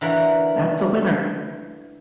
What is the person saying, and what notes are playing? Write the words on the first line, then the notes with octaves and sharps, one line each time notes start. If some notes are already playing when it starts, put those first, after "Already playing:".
That's a winner!
D3 E3 A#4 C#5 F#5